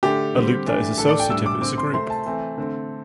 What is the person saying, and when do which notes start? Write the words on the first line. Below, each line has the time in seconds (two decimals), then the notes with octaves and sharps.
A loop that is associative is a group.
0.03 D3 A3 D4 G4
0.35 D3 G3 C4
0.67 E3 A3 D4
0.98 A2 A3 D4 A4
1.09 D5
1.19 G5
1.30 A2 G3 D4 E6
1.46 D6
1.62 D3 C4 D6
1.78 C6
1.94 C3 A3 C4 C6
2.10 A5
2.26 E3 A3 C4
2.58 D3 A3 C4